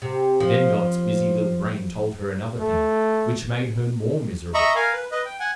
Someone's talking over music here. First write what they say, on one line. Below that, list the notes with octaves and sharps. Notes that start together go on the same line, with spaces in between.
Then Dot's busy little brain told her another thing, which made her more miserable.
C3
F3
A3
D#5 E5 A#5 B5 C#6
A#4 F5 G#5
B4
B4 D#5
G5
F#5 G#5